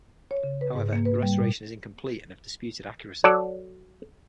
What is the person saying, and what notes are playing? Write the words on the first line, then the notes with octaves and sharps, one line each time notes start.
However, the restoration is incomplete and of disputed accuracy.
C#5
C#3
B4
G#2
A#3
B4
G3
A#2
F#3 A4 D5